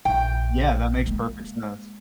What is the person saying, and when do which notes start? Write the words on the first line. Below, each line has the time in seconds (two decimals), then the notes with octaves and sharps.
Yeah, that makes perfect sense.
0.05 A#1 G5
1.06 G#3 A#3